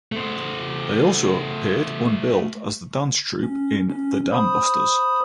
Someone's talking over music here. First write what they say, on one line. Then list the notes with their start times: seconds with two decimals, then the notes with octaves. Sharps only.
They also appeared unbilled as the dance troupe in "The Dam Busters".
0.12 A3 C5
3.43 C#4
3.90 C#4
4.31 C5 B5 D#6